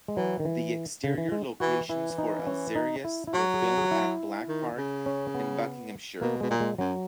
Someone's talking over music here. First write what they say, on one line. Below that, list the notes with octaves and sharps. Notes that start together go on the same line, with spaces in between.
The exterior locations for Alzarius were filmed at Black Park in Buckinghamshire.
G#3
E3 F#3
D#3
E3
C#3
E3
G#3
E3 F#4
E3 E4
D#4
C#4
D#4
E4
E4
F#3 F#4
G#4
F#4
G#4
F#4
E4
D#3
C#3
C#4
B3
B2 A#3
B2 G#3
A#2
G#3
F#2 F#3